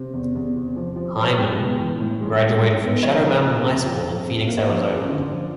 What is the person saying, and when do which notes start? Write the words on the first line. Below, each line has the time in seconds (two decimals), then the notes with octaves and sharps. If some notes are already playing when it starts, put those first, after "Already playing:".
Hyman graduated from Shadow Mountain High School in Phoenix, Arizona.
Already playing: C3
0.13 E2
0.35 E2
0.56 C3
0.76 F3
0.96 F3
1.17 F3
1.37 G#3 G5
1.58 B3
1.80 E3
2.00 A2
2.20 G#3
2.41 A2
2.62 G#3
2.83 B3
3.03 F3 C#5
3.23 F3
3.44 A#3
3.65 F2
3.86 F3
4.06 F3
4.26 F2
4.47 A#3
4.57 C#5
4.68 F3 D5
4.89 F#2
5.09 D3
5.31 F3